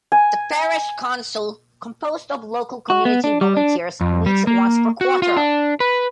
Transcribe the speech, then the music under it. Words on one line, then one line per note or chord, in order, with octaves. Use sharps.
The Parish Council, composed of local community volunteers, meets once per quarter.
G#5
F#4
B3
D4
G3
D4
F2
G3
A#3
F#4
F4
D4
B4